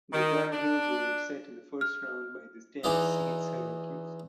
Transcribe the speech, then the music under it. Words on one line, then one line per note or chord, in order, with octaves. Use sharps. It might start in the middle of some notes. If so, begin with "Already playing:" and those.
The Tar Heels were upset in the first round by the tenth seed Syracuse.
D#3
D4
F6
E2 E3 D#4 D5 D#5